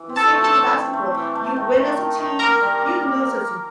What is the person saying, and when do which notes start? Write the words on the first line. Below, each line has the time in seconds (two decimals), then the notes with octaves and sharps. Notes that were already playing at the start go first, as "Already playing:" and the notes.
The same thing in basketball, you win as a team, you lose as a
Already playing: E3
0.09 C4
0.16 A4 A5
0.30 A3
0.44 A4 A5
0.51 E3
0.73 C4
0.93 A3
1.15 E3
1.35 A3
1.56 D#3
1.77 D#3
1.98 D#3
2.18 D#3
2.39 A#3 A#4 A#5
2.61 G3
2.82 A#3
3.02 A#3